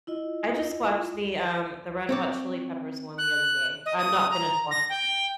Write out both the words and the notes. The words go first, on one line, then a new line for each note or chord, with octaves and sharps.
I just watched the, um, the Red Hot Chili Peppers one the other day. I'm not finished watching it.
E4 F4 D#5
C4 C#5 D5
F#6
D#5
D#6
A#5
A#6
G5